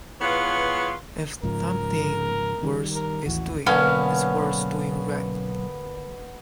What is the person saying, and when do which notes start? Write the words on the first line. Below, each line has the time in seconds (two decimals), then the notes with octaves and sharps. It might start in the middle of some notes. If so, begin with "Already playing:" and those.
If something worth is doing, it's worth doing right.
0.21 E3 B3 F4 G#4 B4 C#5
1.43 G#2 C#3 F3 A#4
2.63 D#3 G3
2.92 A#4
3.26 A1 D#2 E3 F#4
3.67 B1 D3 A#3 B3 C#4